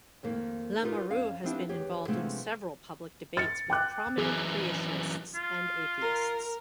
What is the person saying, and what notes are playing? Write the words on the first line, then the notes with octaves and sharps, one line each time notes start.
Lamoureux has been involved in several public debates with prominent creationists and atheists.
F2 D#3 A#3
D#4 F4 G4 A#4 B4
F2 C#4 F5
F3 B3 C4 D4 E4 G4
E2 G4 C#5
C3 F3 G#3 A3 B3 D4
A6 C#7
G5 D6 F#6
F#2 E3 G#4
F4
A#4